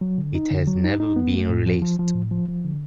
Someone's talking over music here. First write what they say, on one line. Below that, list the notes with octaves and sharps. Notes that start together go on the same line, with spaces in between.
It has never been released.
F#3
D3
D#4
D3
F#3
D#4
D#4
B3
A3
A2
F3
F3
F3
A2
F3
F3
D3